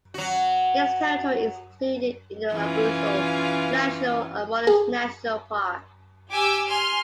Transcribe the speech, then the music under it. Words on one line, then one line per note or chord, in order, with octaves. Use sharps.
Its territory is included in the Abruzzo, Lazio and Molise National Park.
F#3 F#4
E3 C#4 F4
G#4
G4 G#5 D6 E6
G#5 C6 F6